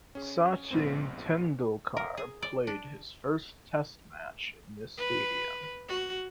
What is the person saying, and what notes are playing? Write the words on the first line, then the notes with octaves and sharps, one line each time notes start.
Sachin Tendulkar played his first test match in this stadium.
C#4 G#4
A#1 G#2 B3 C4
A#4
G#4
D5
D4
B4
F#4